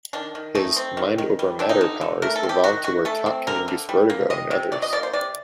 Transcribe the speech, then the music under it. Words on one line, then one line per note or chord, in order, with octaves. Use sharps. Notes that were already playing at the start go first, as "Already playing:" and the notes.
His "mind-over-matter" powers evolve to where Top can induce vertigo in others.
D#3 D4
D#3
A3 D#4
C4
D#3
D#3
G3
C4 D4
D#4
D3
D3
A3 A#4
A4
C4
G4
D#3 F#4
D#3 F#4
A3 A4
C4
D3 A#4
D3
G3
A#3
C3 D#5
C3
F#3 D5
D#5
A#3 D5
C5
C3 D5